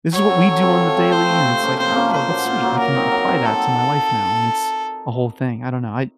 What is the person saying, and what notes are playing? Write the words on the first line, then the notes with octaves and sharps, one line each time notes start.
this is what we do on the daily," and it's like, "Oh, that's sweet, I can apply that to my life now," and it's a whole thing. I don't know. I
F#3 C#5
C4 F#4 A4
F#3
C4 F#4 A4
F3
A3 C4
F3 C5
A3 C4
C3
F3 A#3 C#4
C3 C5
F3 A#3 C#4
A#2 C5
F#3 A#3
A#2
F#3 A#3
F#3 A#4
C4 D#4
F#3
C4 D#4
F#3 A4